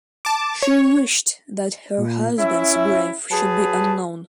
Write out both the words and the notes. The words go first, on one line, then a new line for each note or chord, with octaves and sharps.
She wished that her husband's grave should be unknown.
A5 D6
C#5
A#2
C#4 E4 E5
F#3 G#4 B4 A5